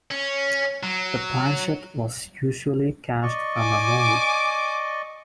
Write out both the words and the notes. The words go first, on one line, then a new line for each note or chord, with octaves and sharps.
The planchet was usually cast from a mold.
C#4
F#3
D5 D#5 C#6
G#5 D6